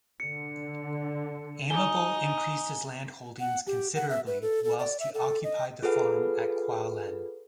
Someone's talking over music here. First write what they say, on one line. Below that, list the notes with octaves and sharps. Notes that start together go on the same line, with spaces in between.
Aimable increased his land holdings considerably whilst he occupied the farm at Qualen.
D3 C#7
D#4 D#5 G#5 G7
F#5
G4
F#5
E5
B4
A4
A4
D5
E5
A4
D#5
F4 G#4 A4 B4 F#5